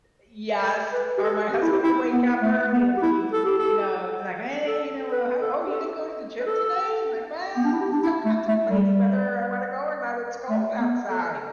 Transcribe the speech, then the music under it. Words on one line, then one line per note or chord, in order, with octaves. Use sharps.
Eh yes, or my husband will wake up early and he you know, is, like, "Hey," you know, "ho oh, you didn't go to the gym today?" And, I'm "Well, I'm still contemplating whether I wanna go or not, it's cold outside."
A4
B4
G4
A4
G4
E4
G4
E4
B3
A3
B3
G4
E4
A4
G4
A4
A4
B4
A4
G4
A4
B4
A4
B3
D4
E4
G4
D4
E4
A3
A3
G3
A3
B3
A4